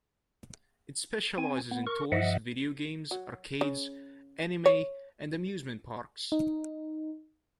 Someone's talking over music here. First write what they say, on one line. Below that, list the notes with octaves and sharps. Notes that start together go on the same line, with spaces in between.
It specializes in toys, video games, arcades, anime, and amusement parks.
C4 G#5
B3
A#4 C#6
G2 F3 D#5 E5 F#5
F#3
C#3
C#5
D#4